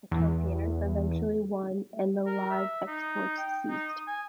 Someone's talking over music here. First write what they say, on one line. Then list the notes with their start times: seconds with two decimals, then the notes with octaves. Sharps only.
The campaigners eventually won and the live exports ceased.
0.11 E2
2.26 A#4
2.50 E5
2.87 D#4
3.38 G5
3.69 D#4
3.89 D#6
4.07 G#5